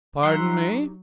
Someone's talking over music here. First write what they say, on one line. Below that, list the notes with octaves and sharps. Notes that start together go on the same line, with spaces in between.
"Pardon me!"
F#3 D#4 G4 E5 F#5 A#5 C6